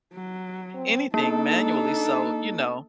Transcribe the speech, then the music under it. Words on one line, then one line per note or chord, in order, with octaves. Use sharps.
anything manually, so, you know.
F#3
C4
A#3 D4 D#4 A4